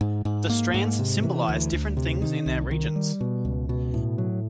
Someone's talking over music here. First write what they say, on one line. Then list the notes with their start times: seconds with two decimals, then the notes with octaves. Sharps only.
The strands symbolize different things in their regions.
0.01 G#2
0.25 G#2
0.49 A#3
0.74 G#2
0.99 C3
1.23 E3
1.49 D2
1.73 D2
1.97 C3
2.22 D#3
2.46 C2
2.71 D#3
2.96 G3
3.21 B2
3.45 C#2
3.69 B2
3.94 A2
4.18 F#3